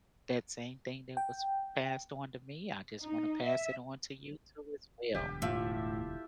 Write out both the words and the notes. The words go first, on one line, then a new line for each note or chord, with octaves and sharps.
that same thing that was passed on to me, I just wanna pass it on to you too as well,
G5
D#4
E5
E1 D2 D3 G4
A2 F4 E5